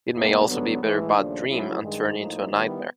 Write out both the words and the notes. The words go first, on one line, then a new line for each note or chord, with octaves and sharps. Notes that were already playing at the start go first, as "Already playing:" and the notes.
It may also be a very bad dream and turn into a nightmare.
E2 C3 E3 G3 A#3
G2 D3 F#3 B3
A2 E3 G#3
D#2 C#3 F3 A3 D4
C#3 F#3 A3 C#4 E4
G2 D#3 G#3
A2 F3 A#3 D#4
D#3 G3 B3 E4